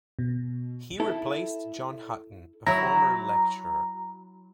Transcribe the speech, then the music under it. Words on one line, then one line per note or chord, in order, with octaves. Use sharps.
He replaced John Hutton, a former lecturer.
B2
E4 A4
F#3 E4 A#5